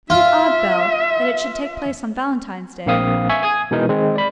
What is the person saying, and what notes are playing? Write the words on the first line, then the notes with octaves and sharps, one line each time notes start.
Isn't it odd, Bell, that it should take place on Valentine's day?
F4 E5
A#1 A#3 C4 F5 D#6
E5 G#5 C#6
G#5 D#6 G#6
B2 E3 G#3 D#4 A#4
D#3 G#3 C4
D5 B5